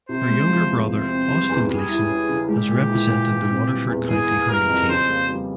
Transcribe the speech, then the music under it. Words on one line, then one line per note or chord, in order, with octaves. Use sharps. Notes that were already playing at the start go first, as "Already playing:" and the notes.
Her younger brother Austin Gleeson has represented the Waterford county hurling team.
C3 C5
G#3
F3
E2
C3 C5
C4
G3
E2
G3 G#4
E4
C#4
C#3
G#3 G4
A#2
E4
A#2
E3
C4
G3
E2
E3 G#4
A#3
G3 A#4
F2
C#3 C5
A#3
G3